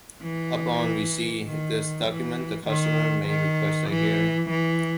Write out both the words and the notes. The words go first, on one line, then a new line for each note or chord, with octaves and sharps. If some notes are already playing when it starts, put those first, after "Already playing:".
Upon receipt of this document, the customer may request a hearing.
E3
D#3
E3
D#3
D#3
E3
E3